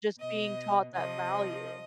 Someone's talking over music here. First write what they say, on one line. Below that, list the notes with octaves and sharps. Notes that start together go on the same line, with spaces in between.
just being taught that value.
B2 D#5
C3 F3 D#5